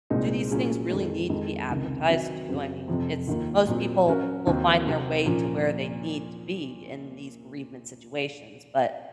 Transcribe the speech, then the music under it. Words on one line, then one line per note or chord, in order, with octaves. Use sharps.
do these things really need to be advertised to, I mean, it's most people will find their way to where they need to be in these bereavement situations, but,
C2 A#2 G#3 C4 D#4
A#2 F#3 C#4 F4 G#4
F2 D#3 G#3
F2 D#3 G#3
C#2 C3 D#3
D#3 F#3 C4 D#4
F#2 C#3 F#3 C4 F#4
F2 C3 F3 C4
D#2 D#3 A#3 F4
A#2 F#3 C4
F#3 C#4 F#4 A#4
D#2 D#3 F#3 C4
C3 F#3 C4 F#4
A#2 F3 A#3 C#4 F4